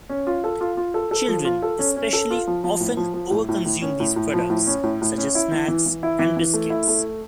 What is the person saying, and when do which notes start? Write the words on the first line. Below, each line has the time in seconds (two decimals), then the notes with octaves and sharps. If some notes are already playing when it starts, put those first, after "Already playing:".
Children especially often over-consume these products, such as snacks and biscuits.
0.09 C#4
0.27 F4
0.44 A4
0.61 F4
0.77 F4
0.94 A4
1.11 A4
1.28 F3
1.45 F4
1.62 A4
1.79 C#4
1.96 C#4
2.13 A4
2.30 F4
2.47 F3
2.64 F3
2.80 A2
2.97 F3
3.14 F3
3.31 A2
3.49 A2
3.65 A2
3.82 C#4
4.00 A2
4.16 A2
4.34 F3
4.50 A2
4.67 C#4
4.83 A2
5.02 A2
5.18 C#4
5.35 E4
5.52 E3
5.68 E3
5.86 E3
6.03 E4
6.19 E3
6.37 E3
6.53 A3
6.70 E4
6.88 A3